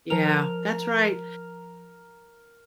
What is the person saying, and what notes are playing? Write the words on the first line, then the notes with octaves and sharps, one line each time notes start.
Yeah, that's right.
F3 A#4 A#5 F7